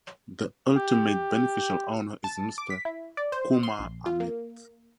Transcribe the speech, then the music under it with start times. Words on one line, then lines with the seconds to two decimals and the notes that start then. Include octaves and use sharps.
The ultimate beneficial owner is Mr Kumar Amit.
0.76 G4
2.24 A5
2.58 D6
2.70 B6
2.85 E4
3.17 D5
3.32 C5
3.63 C6
3.79 A#1
4.06 F4
4.20 A#3